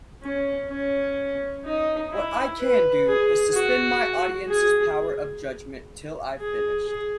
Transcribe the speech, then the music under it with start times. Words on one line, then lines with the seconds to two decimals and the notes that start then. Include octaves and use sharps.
What I can do is suspend my audience's power of judgement till I've finished.
0.22 C#4
0.70 C#4
1.65 D#4
2.12 E4
2.59 B4
3.07 G#4
3.54 F#4
4.49 G#4
6.39 G#4
6.86 G#4